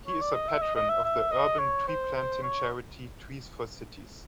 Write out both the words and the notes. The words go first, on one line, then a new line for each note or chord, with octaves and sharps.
He is a patron of the urban tree-planting charity Trees for Cities.
C#5
D5
D#5
E5
D#5
D#5
E5
E5
D#5
C#5
C5
C5
C#5